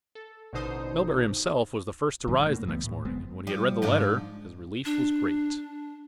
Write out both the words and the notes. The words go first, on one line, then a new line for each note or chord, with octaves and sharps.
Melbury himself was the first to rise the next morning, and when he had read the letter his relief was great.
A4
A1 B2 D3 D#4 C5 D#6
G#1 F#2 D3 D#3
F#2 B2 A3 A#3
C#2 E3 A3 B3
A2
F#1 G#3 B3 C4
F3 G3
G#2 F3 D4
D4